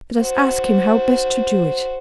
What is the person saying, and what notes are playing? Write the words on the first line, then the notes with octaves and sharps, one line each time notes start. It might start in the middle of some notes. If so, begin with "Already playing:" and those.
Let us ask him how best to do it.'
F#4 C5